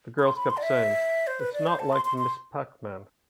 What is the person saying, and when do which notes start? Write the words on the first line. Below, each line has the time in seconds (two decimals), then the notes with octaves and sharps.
The girls kept saying, "It's not like Ms. Pac-Man".
0.18 B5
0.24 C6
0.36 B5
0.50 C6
0.57 D5
0.63 E5
1.27 C5
1.40 B4
1.53 D5
1.67 C5
1.79 A5
1.93 C6
2.05 C6
2.18 C6